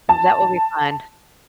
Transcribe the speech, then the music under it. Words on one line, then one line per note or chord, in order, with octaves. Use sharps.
That will be fun.
A5